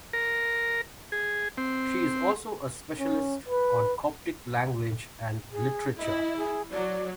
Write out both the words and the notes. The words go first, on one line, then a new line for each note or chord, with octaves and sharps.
She is also a specialist on Coptic language and literature.
A#4
G#4
C4
C#4
B4
G#4
E4 D#5
G#4
F#3 D5